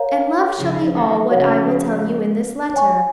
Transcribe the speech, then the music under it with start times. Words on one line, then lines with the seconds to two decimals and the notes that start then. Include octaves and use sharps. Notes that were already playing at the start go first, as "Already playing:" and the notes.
And love shall be all what I will tell you in this letter.
Already playing: A#4 C#5 F5 A#5
0.58 C#3 F3
0.94 D#3 F#3
1.30 C#3 F3 F#4 C#5 F#5
2.74 C#5 G#5 C#6